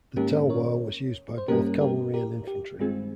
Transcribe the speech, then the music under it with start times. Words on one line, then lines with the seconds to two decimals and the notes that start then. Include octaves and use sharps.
The talwar was used by both cavalry and infantry.
0.17 G#2 D#3 A#3 C#4 G4 A#4
0.49 A#4 C#5
1.38 C5
1.48 G2 G3 A#3 C#4 G4 A#4
1.81 G4 A#4
2.14 G4 A#4
2.47 G4
2.80 G2 D#3 G#3 C4 F4 G#4